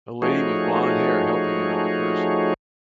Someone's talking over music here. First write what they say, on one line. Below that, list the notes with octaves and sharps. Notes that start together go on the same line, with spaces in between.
A lady with blondhair helping another person.
F3 A3 D#4 F#4 G#4 C#5